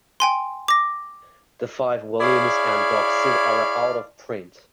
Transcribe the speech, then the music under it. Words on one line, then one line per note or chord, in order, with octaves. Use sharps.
The five volumes and box set are out-of-print.
G5 G#5 C6
D6 A#6
E4 G#4 C#5 D5 F5